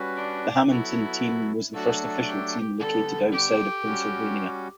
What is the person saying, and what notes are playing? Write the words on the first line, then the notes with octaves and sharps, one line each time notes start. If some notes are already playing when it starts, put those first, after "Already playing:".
The Hammonton team was the first official team located outside of Pennsylvania.
Already playing: G3 C#4 F#4 B4
D4
F#3 B3 E4 F#4 A4
F#3 A3 D4 F#4 A4
G4
D3 G3 B3 A4
G4
G3 C#4 F#4